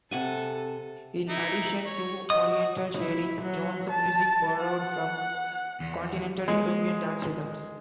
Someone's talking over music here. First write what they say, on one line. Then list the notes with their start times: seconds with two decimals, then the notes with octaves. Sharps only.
In addition to oriental shadings, Jones's music borrowed from continental European dance rhythms.
0.11 C3 A4 F#5 G#5
1.29 D#4 E4
1.86 C#5
2.30 F#4 D#5 D#6
2.97 E4
3.41 F#3
3.90 A5
4.61 F#5
5.80 E2
6.48 G#3